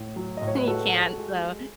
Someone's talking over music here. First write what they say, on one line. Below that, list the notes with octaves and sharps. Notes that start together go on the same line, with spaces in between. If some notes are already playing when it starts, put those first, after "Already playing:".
and you can't, so,
Already playing: A2
F#3
A2 D#5
C#5
B4
G#3 F#4 A4
G#3
G#3
G#3